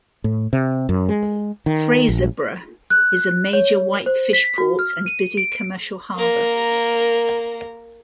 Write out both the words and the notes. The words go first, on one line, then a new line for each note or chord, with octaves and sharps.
Fraserburgh is a major white fish port and busy commercial harbour.
A2
C3
F#2
G#3
D#3
A#1
F#6
C#5
C5
B6
F#4
F6
D#7
D7
A#3 A#4